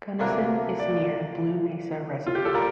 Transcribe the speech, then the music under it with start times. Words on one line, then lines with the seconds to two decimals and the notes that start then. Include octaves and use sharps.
Gunnison is near Blue Mesa Reservoir.
0.20 D2 C3 E3 A#3 D4 A#4
0.79 D5
2.27 F4
2.35 G4
2.45 A4
2.53 A#2 G3 A#4